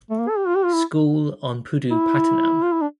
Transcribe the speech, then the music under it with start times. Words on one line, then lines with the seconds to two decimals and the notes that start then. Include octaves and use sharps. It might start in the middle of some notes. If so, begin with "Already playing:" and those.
School on Pudupattinam.
0.10 A3
0.19 A#3
0.28 A4
0.37 G4
0.47 F4
0.55 G4
0.64 F4
0.74 E4
1.91 E4
2.63 F4
2.73 E4
2.81 D4